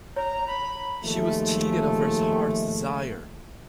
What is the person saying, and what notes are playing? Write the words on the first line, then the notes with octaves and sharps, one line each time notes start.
She was cheated of her heart's desire.
C#5 A#5
B5
D#2 F3 G#3 A3